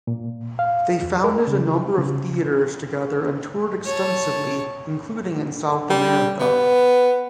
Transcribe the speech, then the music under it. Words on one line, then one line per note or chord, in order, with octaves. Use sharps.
They founded a number of theatres together and toured extensively, including in South America.
A#2
F5
E2
A#4
C#3
C#3
C#5 A5
G3
B3